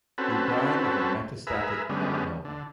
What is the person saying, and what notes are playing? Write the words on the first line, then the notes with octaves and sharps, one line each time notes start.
He died of a metastatic melanoma.
C4 C#4 F#4 A4 B4
G#4 A#4 B4 E5
D3 G3 G#3 B3 C#4
D3